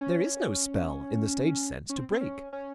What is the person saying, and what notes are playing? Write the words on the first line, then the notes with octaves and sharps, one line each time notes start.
There is no spell, in the stage sense, to break.
C#4
C#4
C4
C4
C#4
C#4